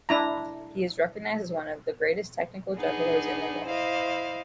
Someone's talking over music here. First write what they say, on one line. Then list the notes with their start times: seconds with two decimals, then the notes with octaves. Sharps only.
He is recognized as one of the greatest technical jugglers in the world.
0.09 D4 E4 A#5
2.78 B3 D4 D#4 G#4
3.66 E4 C5 D#5 F5